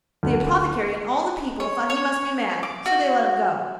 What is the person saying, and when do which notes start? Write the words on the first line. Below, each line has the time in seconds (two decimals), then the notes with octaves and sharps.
The apothecary and all the people thought he must be mad, so they let him go.
0.23 D2
1.60 C#5
1.90 C#5
2.63 D6
2.86 F#4